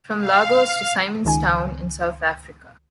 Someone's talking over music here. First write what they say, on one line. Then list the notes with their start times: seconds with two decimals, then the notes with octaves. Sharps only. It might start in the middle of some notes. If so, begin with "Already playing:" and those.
From Lagos to Simon's Town in South Africa.
0.19 F5
1.25 C#2 D#3 G#5